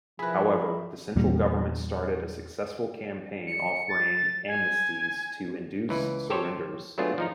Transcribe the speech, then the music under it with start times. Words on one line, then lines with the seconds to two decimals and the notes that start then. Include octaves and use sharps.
However, the central government started a successful campaign offering amnesties to induce surrenders.
0.19 F3 E4 G#4 A#4 B4 B5
1.16 E2 A#2 G3
3.47 C#7
3.89 A6
4.48 G#5
5.89 C#2 E3 B4
6.30 G4 A4 C5 C#5
6.98 F#3 A3 B3 D4 F4 G#4
7.18 F3 D#4 A#5